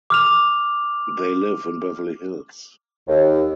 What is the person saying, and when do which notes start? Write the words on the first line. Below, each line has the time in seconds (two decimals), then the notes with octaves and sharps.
They live in Beverly Hills.
0.10 D6 F6 F7
3.08 D#2